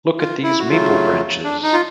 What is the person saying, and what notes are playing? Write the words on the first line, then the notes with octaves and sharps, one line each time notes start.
Look at these maple branches.
F4
E4
F#4
C#3 F#3 A3 F4
D4
D#4
F4